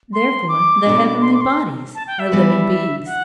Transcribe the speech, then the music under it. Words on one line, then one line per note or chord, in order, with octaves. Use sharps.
Therefore the heavenly bodies are living beings.
C6
D6
B2 A3 D4 F#4
C6
D6
C6
A5
G5
E5
E3 G3 B3 F#4 B4
F#5